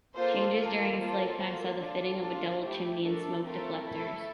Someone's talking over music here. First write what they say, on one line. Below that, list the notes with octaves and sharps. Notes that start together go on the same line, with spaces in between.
Changes during its lifetime saw the fitting of a double chimney and smoke deflectors.
A#3 F4 A4 C5
A#3 F4 A4
A#3 F4 A4 C5
A#3 F4 A4 C5
D4 F4 A4
A#3 D4 F4 A4
A3 E4 G4 C5
A3 D4 A4 A#4
A3 C4 F4 A4 A#4
A3 E4 A4